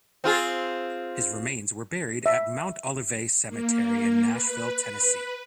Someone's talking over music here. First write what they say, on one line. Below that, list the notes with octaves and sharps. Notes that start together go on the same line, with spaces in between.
His remains were buried at Mount Olivet Cemetery in Nashville, Tennessee.
C4 F4 G#4
E5
A#3
B4